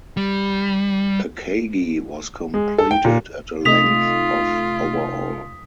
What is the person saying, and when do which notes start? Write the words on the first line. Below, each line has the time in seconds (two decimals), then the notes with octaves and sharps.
"Akagi" was completed at a length of overall.
0.17 G3
2.54 G#3
2.78 A4
2.91 G5
3.05 A#2
3.65 C3 A3 D#4 F4 D#6 B6 F7